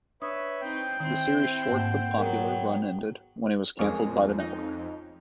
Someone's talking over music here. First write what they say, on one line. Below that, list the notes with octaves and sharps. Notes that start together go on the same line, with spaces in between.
The series' short but popular run ended when it was canceled by the network.
D4 B4 C#5 E5 D#6
C4 D#4 G5
D#3 C4 E4
G#2 A#3 F#5
F#3 B3 G#4 A#4 F#5 G5
F2 G#3 A#3 C#4 G#4
D#4